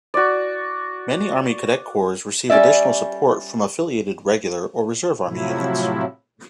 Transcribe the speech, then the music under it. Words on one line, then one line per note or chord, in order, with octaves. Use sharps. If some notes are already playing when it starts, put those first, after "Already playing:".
Many Army Cadet corps receive additional support from affiliated Regular or Reserve Army units.
F#4 D5
G3 C#4 D5 E5
A2 C3 F3 F#3 E4